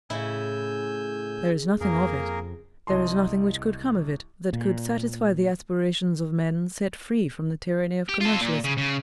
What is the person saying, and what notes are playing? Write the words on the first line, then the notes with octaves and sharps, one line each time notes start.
There is nothing of it--there is nothing which could come of it that could satisfy the aspirations of men set free from the tyranny of commercialism.
A2 C#3 E4 G#5 E6 G6
F2 A#3 G#4 A#4
C2 D#5 A5 C6
A#2
G4
F4 A4
A#2
C#3
C#3